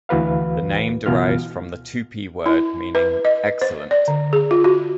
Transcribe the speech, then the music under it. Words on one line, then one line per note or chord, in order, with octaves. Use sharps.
The name derives from the Tupi word meaning "excellent".
D2 E3 F#4 B4 F5
C#2 B2 E3 B3 F4 F6
E4
B4
D#5
C5
D5
D3
G#4
F4
F#4